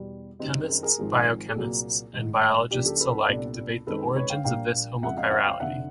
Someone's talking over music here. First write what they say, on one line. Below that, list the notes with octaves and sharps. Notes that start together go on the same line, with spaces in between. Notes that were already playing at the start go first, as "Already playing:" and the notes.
Chemists, biochemists, and biologists alike debate the origins of this homochirality.
Already playing: E2 B2 G3
F#2 D#3 G3 C4 D#4
G#4 A#4
G#4 A#4
G#1 G#2 F3 G#3 C4
A4
C2 A#2 F#3 A#3 G#4
G#2 D#3 G#3
C#2 C#3 F3 A#3 D4 G4
G4 A4
A4 B4
C2 A#2 G3 B3 D4
F#2 D#3 G#3 C4 D#4 A4 B4
B4 C#5
F5 G5
A#1 A#2 G3 A#3 F5 G5
F2 C#3 F3 G#3 E5 F#5
D#5 F5
E5 F#5
F5 G5
F1 F2 D3 E5 F#5